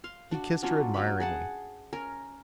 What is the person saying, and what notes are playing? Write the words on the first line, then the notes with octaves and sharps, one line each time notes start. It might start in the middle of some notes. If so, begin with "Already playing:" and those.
He kissed her admiringly.
F5 C6
D4 F#4
F#3 C#4 D4 F4
F#3 A#3 B5
G#4 F#5 A5
C#4 A#4